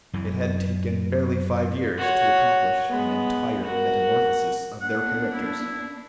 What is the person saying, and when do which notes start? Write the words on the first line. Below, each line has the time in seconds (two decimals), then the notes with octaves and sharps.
It had taken barely five years to accomplish an entire metamorphosis of their characters.
0.13 F#2 E3
1.97 F#4 C#5
2.89 G#3 B3
3.64 F#4 A#4
4.81 A#3 B3 D4 F#5
5.33 E4